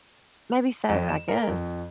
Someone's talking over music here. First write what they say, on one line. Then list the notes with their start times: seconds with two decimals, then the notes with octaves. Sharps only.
Maybe so, I guess.
0.89 F2
1.09 E7
1.28 A#4
1.48 F2